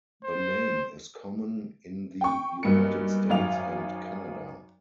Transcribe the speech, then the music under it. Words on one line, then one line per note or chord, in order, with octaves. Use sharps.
The name is common in the United States and Canada.
C5
G5 C#6
B1 G2 A#3 C#7
G#1 F#2 F5 F7